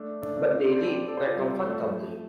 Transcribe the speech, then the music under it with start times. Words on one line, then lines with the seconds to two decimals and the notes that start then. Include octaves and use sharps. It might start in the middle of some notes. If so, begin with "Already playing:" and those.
But they live very comfortably.
Already playing: A3 D4
0.22 A3 D4
0.37 A3 D4
0.50 C4 F4
0.65 D5
0.72 C5
0.80 A4
0.87 G4 C5
1.08 A4 D5
1.17 G4 C5
1.27 F4 A4
1.36 G3 C4
1.51 G3
1.65 F3 A3